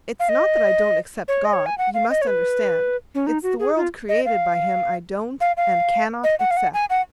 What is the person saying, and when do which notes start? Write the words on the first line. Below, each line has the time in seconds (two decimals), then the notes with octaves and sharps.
It's not that I don't accept God, you must understand, it's the world created by Him I don't and cannot accept.
0.20 F5
0.29 D#5
1.28 C#5
1.45 D#5
1.53 C#5
1.66 G#5
1.78 F#5
1.94 F5
2.10 D#5
2.22 C#5
2.27 B4
3.15 C#4
3.27 D#4
3.43 F#4
3.59 G#4
3.76 F4
4.09 D#5
4.26 F5
5.41 F5
5.57 F5
6.24 D#5
6.40 F#5
6.51 F5
6.57 F#5
6.74 G#5
6.90 F#5